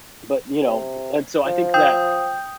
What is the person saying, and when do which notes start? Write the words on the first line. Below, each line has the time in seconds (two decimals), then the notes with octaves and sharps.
"but, you know" And, so, I think that
0.66 C3
1.45 F3
1.74 G5 D#6 G6